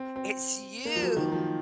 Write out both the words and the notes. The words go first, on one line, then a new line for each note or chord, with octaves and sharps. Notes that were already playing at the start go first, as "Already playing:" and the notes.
it's you
Already playing: C4
C4
A#3
F3
F#3
D#3
F3